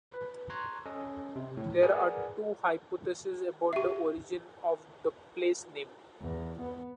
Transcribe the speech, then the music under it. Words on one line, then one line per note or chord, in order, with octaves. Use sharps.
There are two hypotheses about the origin of the place name.
B4
A#5 C6 C#6 F#6 G#6
C#4 A4 D#5
C3
A2
G#4 A#4 B4 D5 F#5 G#5
G4 E5
E2
B3